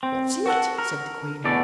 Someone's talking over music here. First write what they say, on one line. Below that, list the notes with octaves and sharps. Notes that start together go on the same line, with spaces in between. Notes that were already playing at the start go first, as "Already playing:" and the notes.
'What's in it?' said the Queen.
C4
F#4 A4 F#5
A#4
E2 B2 A3 D5